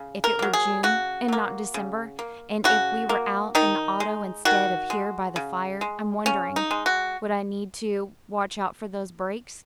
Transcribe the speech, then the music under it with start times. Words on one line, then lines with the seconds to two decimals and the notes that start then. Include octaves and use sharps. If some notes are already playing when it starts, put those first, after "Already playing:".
"If it were June and not December, and if we were out in the auto instead of here by the fire, I'm wondering; would I need to--watch out for those brakes?"
Already playing: C#3
0.24 A#4
0.39 F#3 A#3
0.53 G#4
0.83 C#3 F#4
1.28 F#3 A#3
1.74 C#3
2.19 A#3
2.64 C#3 F#4
3.09 A#3
3.55 D#3 D#4
4.00 G#3
4.45 D#3 F#4
4.90 G#3
5.36 C#3
5.81 G#3
6.26 C#3 C#4
6.56 D#4
6.71 G#3
6.86 F#4